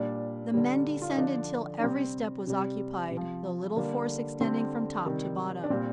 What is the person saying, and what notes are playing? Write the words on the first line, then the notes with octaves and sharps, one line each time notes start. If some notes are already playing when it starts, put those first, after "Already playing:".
The men descended till every step was occupied, the little force extending from top to bottom.
Already playing: A#2 G3 D4
D3 G3
F4
D#4
D3 F3 D4
D4
C3 G3 C4
C3 G3
C3
F3
D3 G3 A#3
D3 G3 C4
C3 D#3 G3
D4
A#2 G3 C4